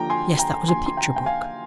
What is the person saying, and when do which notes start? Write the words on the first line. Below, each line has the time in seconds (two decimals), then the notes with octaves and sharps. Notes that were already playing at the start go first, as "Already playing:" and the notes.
Yes, that was a picture book!
Already playing: D#2 D3 F3 G5 A#5
0.10 G#5 C6
0.39 G5 A#5
0.68 D#2 D3 F3 G#5 C6
0.86 C6
0.97 G5 A#5
1.16 G5
1.26 F5 G#5